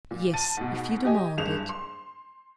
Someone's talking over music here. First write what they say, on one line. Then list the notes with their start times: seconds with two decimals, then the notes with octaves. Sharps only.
"Yes, if you demand it."
0.11 A#2
0.34 A5 A6 D#7
0.57 G#2 B2
1.05 G4 D#5 G#5
1.37 F#1 G2 G#4 E7 F7
1.69 C6